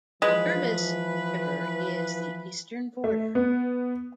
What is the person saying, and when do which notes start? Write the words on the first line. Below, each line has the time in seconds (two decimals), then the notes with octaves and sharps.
The Berbice River is the eastern border.
0.22 E3 F3 G#3 B4
3.04 A3
3.35 B3